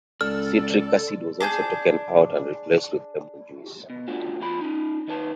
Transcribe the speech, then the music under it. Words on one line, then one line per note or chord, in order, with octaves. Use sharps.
Citric acid was also taken out and replaced with lemon juice.
C#2 A4 D5 F6
D4 G#4 A5 G6
B2
A3 D4 F4 F#4
E2 F4 B5
C#4 D#4
D#3 D#4 B4 A5